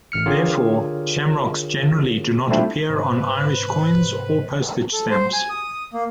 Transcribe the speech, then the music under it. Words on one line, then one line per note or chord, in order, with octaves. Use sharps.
Therefore, shamrocks generally do not appear on Irish coins or postage stamps.
A1 F6 C#7
D3 F4 G4 G#4 A#4 C#5
G3 A3 C4 D4 E4 F4
G#2 C3 B4 C5
A4
C5
G#5
D#6
A#3